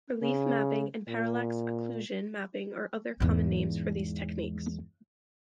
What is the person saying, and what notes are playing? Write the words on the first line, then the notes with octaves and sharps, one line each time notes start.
Relief mapping and parallax occlusion mapping are other common names for these techniques.
C#3
A#2
E2 G#2